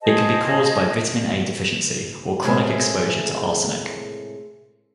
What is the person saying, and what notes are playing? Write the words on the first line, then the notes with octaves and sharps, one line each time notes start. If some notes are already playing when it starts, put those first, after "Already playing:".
It can be caused by vitamin A deficiency or chronic exposure to arsenic.
G#4 C5 D#5 A5
A2 C3 G#3 G#4 A#4 E5